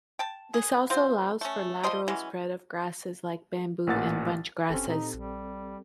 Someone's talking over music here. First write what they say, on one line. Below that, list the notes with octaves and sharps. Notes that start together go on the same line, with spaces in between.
This also allows for lateral spread of grasses like bamboo and bunch grasses.
G5 A5
G#4
F#3 C4 F4 C5
A3 C#4
F3 G3 D#5 C6
E3 F#3 G#3 C#4
A1 A#2 F#5 A6
F1 C4 C#4 G4 A4
A#2 D#4
A#1 G3